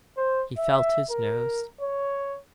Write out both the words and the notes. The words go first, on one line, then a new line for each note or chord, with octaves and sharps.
He felt his nose.
C5
E5
A#4
C#5